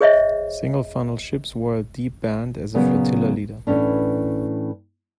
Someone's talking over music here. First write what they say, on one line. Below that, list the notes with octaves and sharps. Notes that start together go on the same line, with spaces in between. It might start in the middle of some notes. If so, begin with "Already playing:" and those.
Single funnelled ships wore a deep band as a flotilla leader.
G#4 C5 C#5 D#5 E5
A#2 C#3 F#3 A#3 B3
A2 E3 C#4 D4